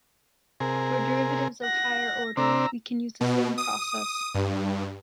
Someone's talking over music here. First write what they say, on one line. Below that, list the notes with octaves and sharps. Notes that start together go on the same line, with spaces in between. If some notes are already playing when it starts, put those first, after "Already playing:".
For derivatives of higher order, we can use the same process.
C3 G#4 A#4
F#5 A#6
C3 C4 D4 A#5 E6
B2
D#6
G2